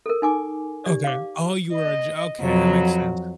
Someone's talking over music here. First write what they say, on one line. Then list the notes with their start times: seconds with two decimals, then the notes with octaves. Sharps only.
Okay. Oh, you were a jour okay, that makes sense.
0.06 A4 A#4
0.22 D#4 G#5 D6
0.86 G4 D5
1.04 F5 D6
1.73 D#5
2.40 F2 F#3 F#4